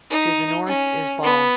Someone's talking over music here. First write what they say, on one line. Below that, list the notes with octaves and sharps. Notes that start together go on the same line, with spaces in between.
To the north is Ball.
D#4
C#4
B3